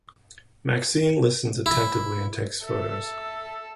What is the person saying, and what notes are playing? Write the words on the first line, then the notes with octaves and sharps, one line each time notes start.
Maxine listens attentively and takes photos.
E4
A4 E5
E5